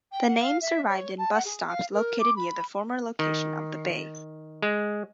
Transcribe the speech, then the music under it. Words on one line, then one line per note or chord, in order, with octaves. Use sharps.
The name survived in bus stops located near the former location of the bay.
G5
F#5
F5
E5
C#5
A5
F#5
G#4
F5
A#4
D6
B5
D#3
G#3